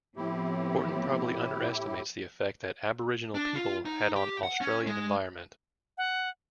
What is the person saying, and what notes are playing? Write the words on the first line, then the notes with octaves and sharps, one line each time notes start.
Horton probably underestimates the effect that Aboriginal people have had on Australian environment.
A2 F3 B3 C4 E4 G4
D4
F4
D#4
G4
F#5
C#4
G#3
F#5